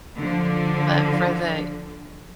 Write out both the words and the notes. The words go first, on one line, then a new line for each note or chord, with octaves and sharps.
But, for the
D3 F3